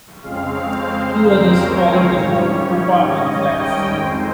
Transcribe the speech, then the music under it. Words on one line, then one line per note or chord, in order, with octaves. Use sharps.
Two others followed the four, Poppa and Flex.
F2 C#3 G#3 C4 F5
C5
A#4
C#5
G#2 D#3 G3 C#4
D#5
G5
F2 D#3 G#3 C4 C5